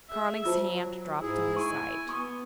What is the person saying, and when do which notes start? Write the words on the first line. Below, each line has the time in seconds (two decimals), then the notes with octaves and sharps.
Carling's hand dropped to his side.
0.10 G#4 E5
0.45 F#3 F4 C5 A5
1.22 G#2 E4 G#4
1.56 G#5 C#6
2.09 B3 C#6 D#6